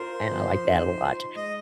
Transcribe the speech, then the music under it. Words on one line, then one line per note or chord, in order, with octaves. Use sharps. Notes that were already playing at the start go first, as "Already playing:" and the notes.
and I like that a lot.
Already playing: F4 A#4 C5
F3
D#4
D#4
G#3 D#5